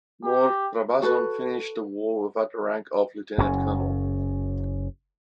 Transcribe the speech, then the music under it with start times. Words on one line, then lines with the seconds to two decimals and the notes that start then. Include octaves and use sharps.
Moore-Brabazon finished the war with the rank of Lieutenant-Colonel.
0.24 G4
1.02 F#4 A4 B4
3.38 F#1 F#2 C#3 C#4